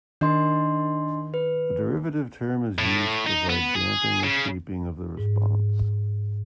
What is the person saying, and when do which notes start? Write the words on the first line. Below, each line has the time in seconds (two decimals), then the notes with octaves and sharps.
The derivative term is used to provide damping or shaping of the response.
0.21 D#3 D4 D#5 C6
1.34 B4
2.79 A2
3.27 D#4
3.50 B3
3.75 G#4
4.24 C#3
5.17 G#2